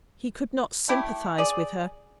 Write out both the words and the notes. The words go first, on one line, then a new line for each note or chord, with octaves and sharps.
He could not sympathise with her.
A3 E4 G4
G#4 D5